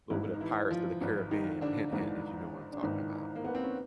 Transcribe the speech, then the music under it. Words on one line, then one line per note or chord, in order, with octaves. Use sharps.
Little bit of Pirates of the Caribbean, hint hint, if you know what I'm talking about.
G#1 G#2 E3 E4
D#4
E3 E4
F3 F4
G#1 G#2 E3 E4
D#3 D#4
D3 D4
G#1 G#2 D3 E3 D4
D4
G#1 G#2 D#3 E3 D#4
A#3
B3
C4
C#4